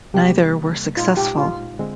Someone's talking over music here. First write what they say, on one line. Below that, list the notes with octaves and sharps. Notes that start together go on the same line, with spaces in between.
Neither were successful.
C3 G3 A#3 G4
A#2 G#3 D#4 F4
G4
F4
D3 G#3 C4